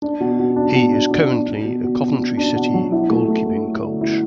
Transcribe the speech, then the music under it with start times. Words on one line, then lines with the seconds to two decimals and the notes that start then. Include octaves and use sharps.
He is currently a Coventry City Goalkeeping coach.
0.02 D4
0.20 B2
0.39 B2
0.56 D4
0.74 B2
0.93 D4
1.11 D4
1.29 B2
1.48 D4
1.65 B2
1.84 B2
2.02 B2
2.20 B2
2.37 D4
2.56 B2
2.74 F#3
2.92 E4
3.10 A3
3.28 A3
3.47 A3
3.65 A3
3.83 D3
4.01 E4